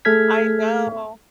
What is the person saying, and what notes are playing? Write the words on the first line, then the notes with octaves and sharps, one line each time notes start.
I know.
A3 G#4 A4 F6 G#6 B6